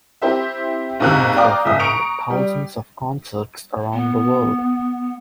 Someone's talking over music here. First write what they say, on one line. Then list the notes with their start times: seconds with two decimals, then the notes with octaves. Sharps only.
He has performed thousands of concerts around the world.
0.22 C4 E4 G4 C5 E5
0.99 F#1 D#2 G#2 C3 G4 F#6
1.36 D5 F5 G5 A#5 D6 D#6
1.65 F#1 C#3 E5 D#6
1.80 A#5 C#6 C#7 D7 F7
2.30 G3
3.93 B3